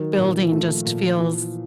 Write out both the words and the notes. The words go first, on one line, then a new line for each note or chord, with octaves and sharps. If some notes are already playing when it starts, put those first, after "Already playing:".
building just feels
Already playing: D#3 F#3
A#2 F3
F3 A3
A#2
E3 F3